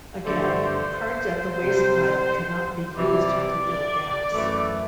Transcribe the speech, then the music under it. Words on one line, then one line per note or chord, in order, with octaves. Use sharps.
Again, cards at the wastepile cannot be used to fill gaps.
G2 D3 A3 C5
C3 G3
C3 E3 G3 D5
F#2 E3 A3